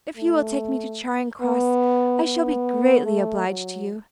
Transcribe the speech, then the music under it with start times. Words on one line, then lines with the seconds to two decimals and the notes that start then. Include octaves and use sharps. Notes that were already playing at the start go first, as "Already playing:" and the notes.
If you will take me to Charing Cross, I shall be greatly obliged to you.
0.17 A3
1.42 B3
2.24 B3
3.06 A3
3.47 F#3